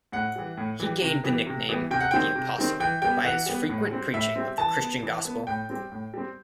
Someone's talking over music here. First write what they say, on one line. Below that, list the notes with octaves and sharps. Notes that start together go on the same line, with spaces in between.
He gained the nickname "The Apostle" by his frequent preaching of the Christian gospel.
A2 F#5
E3 G3
A2
E3 G3
C3
E3 G3 B3
C3
E3 G3 B3
C3 G5
F#5
D#3 G3 C4 G5
C3
D#3 G3 C4
E3 G5
G3 B3 G5
E3 F#5
G3 B3
A2
G3 C4
A2 E5
G3 C4
E3 A5
B3
E3
B3
A2 G5
G3 C4
A2
G3 C4